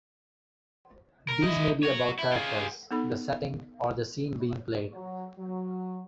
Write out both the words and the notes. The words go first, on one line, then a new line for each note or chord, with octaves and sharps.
These may be about characters, the setting, or the scene being played.
A#4
E4 D#5
F#4 C#5
E4
F4 G#4
B3 D#4 A4 B5
F#3
F#3